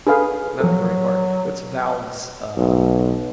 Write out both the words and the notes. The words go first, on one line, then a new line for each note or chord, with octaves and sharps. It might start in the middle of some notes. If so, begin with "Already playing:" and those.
I'm having a brain fart. What's Valve's, uh
D4 G#4 A4 B4 F5
F3 F#3 A4
B1